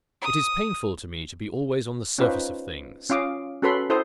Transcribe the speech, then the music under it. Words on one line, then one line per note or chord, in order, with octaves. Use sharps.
It is painful to me to be always on the surface of things.
D#6
C#4 D#4 F4 B4 C5
C#4 F4 F5 D6 D#6
C#4 F#4 A4 B4 B5 C6
E4 A4 C5 C6 D#6